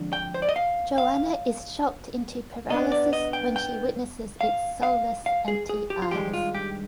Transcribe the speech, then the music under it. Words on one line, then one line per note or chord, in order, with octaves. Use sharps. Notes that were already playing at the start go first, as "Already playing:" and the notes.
Joanna is shocked into paralysis when she witnesses its soulless, empty eyes.
Already playing: F2 D3 G#3 D4
G5
C5
D5
D#5
F5
F5
B2 B3 D4 D#5
D5
D#5
G5
G5
F5
F5
F5
G#4
G#4
G4
F4
G2 D#3 G#3 G4
F4
G4